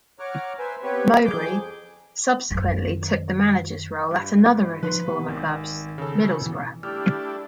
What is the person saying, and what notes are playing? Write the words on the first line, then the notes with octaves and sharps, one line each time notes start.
Mowbray subsequently took the manager's role at another of his former clubs, Middlesbrough.
C#5 F#5 A#5 D6 F6
B4 C5 E5 G#5
B3 C4 G4 B4 C#5
F2 G#4 D6 G6
F#2 D#3
G2
F3 D#4 B4 C6
C3 E3 B3
G#1 D#3
C#3 A4
B2 E3
G3 A3 D4 E4 G4 D5 F6